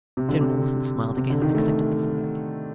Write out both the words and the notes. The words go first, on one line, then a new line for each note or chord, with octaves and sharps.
General Wilson smiled again and accepted the flag.
C3
D3
C3
C3
D3
D#3
A3